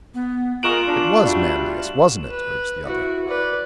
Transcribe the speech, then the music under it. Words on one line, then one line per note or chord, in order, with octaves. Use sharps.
"It was Manlius, wasn't it?" urged the other.
B3
G#3 F4 A#4 C#6 F#6 D7 E7 F#7
D4
G3 A3 D4 F#4
B4
E4 F#4
B4 D5